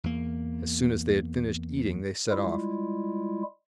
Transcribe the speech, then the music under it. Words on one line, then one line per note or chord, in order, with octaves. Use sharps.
As soon as they had finished eating they set off.
E2 A#3
G3 G#3 E4 F4